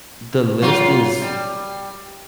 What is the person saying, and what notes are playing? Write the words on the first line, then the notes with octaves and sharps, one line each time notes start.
the list is
A#2 F#3 F4
G3